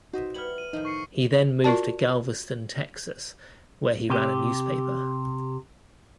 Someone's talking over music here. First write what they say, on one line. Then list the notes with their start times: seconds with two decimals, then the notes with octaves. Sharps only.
He then moved to Galveston, Texas where he ran a newspaper.
0.13 D#4 F#4 C5 D#5 E5
0.34 G3 B3 E4 F6 F#7
0.58 D#7
0.73 A2 D#3 F3 D#4
0.85 C#6 C7 C#7
1.64 F4 F#4 A#4 D5 A5
4.10 C3 G4